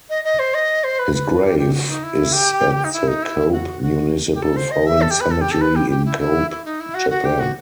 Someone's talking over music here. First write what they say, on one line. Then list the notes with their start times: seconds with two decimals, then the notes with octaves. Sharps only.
His grave is at the Kobe Municipal Foreign Cemetery in Kobe, Japan.
0.09 D#5
0.24 D#5
0.39 C5
0.54 D#5
0.83 C5
0.99 B4
1.13 B4
1.43 G4
1.58 G4
1.73 F#4
1.88 D#4
2.03 E4
2.32 G4
2.84 D#4
2.93 E4
3.07 D#4
3.22 E4
3.52 F#4
3.82 F#4
4.33 G4
4.42 A4
4.56 C5
4.71 D#5
4.86 E5
5.01 A4
5.10 G4
5.20 B4
5.30 A4
5.41 G4
5.51 A4
5.61 B4
5.75 G4
5.90 G4
6.05 E4
6.20 E4
6.50 E4
6.64 D#4
6.80 E4
6.94 F#4
7.09 F#4
7.25 G4
7.39 F#4